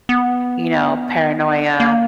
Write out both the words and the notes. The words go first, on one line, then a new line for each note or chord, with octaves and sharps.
you know, paranoia,
B3
A#3